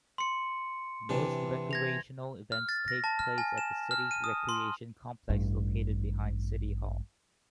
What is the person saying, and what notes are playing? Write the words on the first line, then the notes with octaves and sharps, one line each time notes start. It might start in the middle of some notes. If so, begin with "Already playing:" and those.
Most recreational events take place at the city's recreation complex located behind City Hall.
C6 C#7
C3 E3 D4
G#6 A#6 F7
F6
A6
A#6
A5
F6
G#5
E7
F6
D#7
D#6
C6
A1 G2